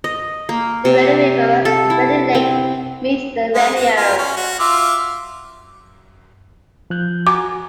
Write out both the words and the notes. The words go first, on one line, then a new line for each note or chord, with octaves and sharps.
The Rainy River and Rainy Lake meet at Ranier.
D#5
A#3
C3
A4
E4
C4
G#3
F#4
F4 A#4
C#4
F#4
F4 E5 D6
F3 F#6 G6
F#4 G#5 A#5 D6